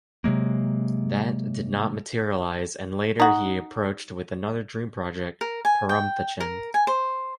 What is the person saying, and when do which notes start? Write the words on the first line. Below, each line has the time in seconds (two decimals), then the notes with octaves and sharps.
That did not materialise and later he approached with another dream project "Perumthachan".
0.24 C3 F#3 G#3 A#3
3.20 D#4 F#4
5.41 A#4
5.65 G#5
5.89 G5
6.40 A#4
6.74 G#5
6.87 C5